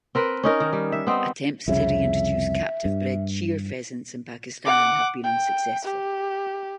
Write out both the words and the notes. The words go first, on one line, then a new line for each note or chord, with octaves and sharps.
Attempts to reintroduce captive-bred cheer pheasants in Pakistan have been unsuccessful.
C4 A#4 B4
C#4 D#4 A#4
D#3
G3
E5
B3 C4 D#4
C2 F2 C#3 E5
G2
F#5 D6
G5
G4